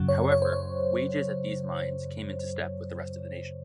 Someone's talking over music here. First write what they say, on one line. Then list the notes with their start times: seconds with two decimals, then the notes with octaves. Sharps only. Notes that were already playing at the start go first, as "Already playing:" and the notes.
However, wages at these mines came into step with the rest of the nation.
Already playing: F#2 C#3 F#3
0.08 C#5
0.32 C#5
0.42 C5
0.53 C#5